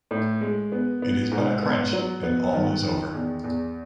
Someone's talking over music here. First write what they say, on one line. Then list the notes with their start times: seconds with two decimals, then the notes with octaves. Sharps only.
It is but a crunch, and all is over.
0.11 A2
0.41 G#3
0.72 B3
1.02 B3
1.32 G#2
1.63 B3
1.93 F#3
2.23 B3
2.53 D#3
2.83 D#3
3.14 E2
3.44 E2